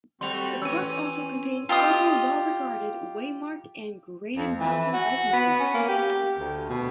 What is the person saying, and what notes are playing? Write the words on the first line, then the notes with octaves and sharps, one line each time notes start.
The park also contains several well regarded, waymarked and graded mountain biking trails.
G3 A3 C4 F#4 C6 F7
E3 C#4 E6 D#7
F4 G4 D#5 D#6
F2
E3
F#4
B3
C#4
A#3
G4
D2
B2